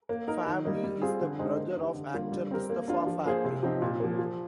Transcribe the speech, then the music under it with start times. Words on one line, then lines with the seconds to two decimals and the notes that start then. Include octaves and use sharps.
Fahmy is the brother of actor Mustafa Fahmy.
0.09 A#3
0.27 D#4 A#4
0.46 D#3
0.65 G3 A#3 D#4
0.84 G3
1.02 C4 F4 G#4
1.21 D3
1.39 G#3 D#4 G4 C5
1.58 A#3
1.77 D#4 G4
1.95 D3
2.14 G3 A#3 F4
2.32 G3
2.51 C4 G4 A#4
2.70 A#3
2.88 D4 F4
3.07 F3
3.25 A#3 F4 G#4 C5
3.45 C3
3.63 F3 C4 D#4 G4
3.82 A#2
4.00 F3 A#3
4.19 F3